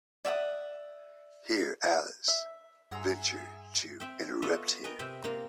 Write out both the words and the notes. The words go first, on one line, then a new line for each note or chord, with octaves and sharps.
Here Alice ventured to interrupt him.
D5 E5 F#5 D#6
E5
G2 G#4 E5 F#5 G#5 A#5 C6 E6
C4 E5 G5
B3 F4 A4 C#5 D#5 E5
A#4 B4 D#5 G5 G#5
C3 C4 E5 G5
C3 A#3 F4 A#4 F5